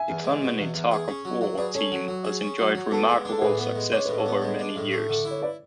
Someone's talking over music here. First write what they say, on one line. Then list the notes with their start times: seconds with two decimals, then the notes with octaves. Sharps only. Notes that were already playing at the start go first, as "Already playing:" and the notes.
The Clonmany Tug of War team has enjoyed remarkable success over many years.
Already playing: E5 G#5
0.09 E2
0.24 G#3
0.42 B2
0.59 E2
0.74 E2
0.91 G#4
1.08 C#4
1.25 F#3
1.41 F#3 D5 F#5
1.58 G#4 B4 D5
1.75 C#4 A4 C#5
1.92 F#3
2.08 F#3
2.25 G#4
2.42 C#4
2.58 F#3
2.75 F#3
2.91 B3 A4
3.09 G#3
3.25 D4
3.32 A4
3.42 A2 G#4 B4
3.58 B3
3.76 G#3
3.92 D4 C#5
4.05 A2 B4
4.18 A4 C#5
4.26 B3
4.42 G#3
4.59 D4
4.76 A2
4.91 A3
5.09 D3
5.25 E4
5.31 C#5
5.42 B4 D5